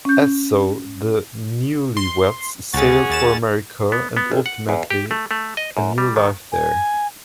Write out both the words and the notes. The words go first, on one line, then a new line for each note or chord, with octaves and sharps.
And so the newlyweds sailed for America and ultimately a new life there.
C#4 G6
C6
C#2 C#4 F#4 G#4 A6
D#2 A6 E7
B3
B3
G#1
F#5
E2
G4
A3
A3
D#5
F#2
G3
D#3
G#5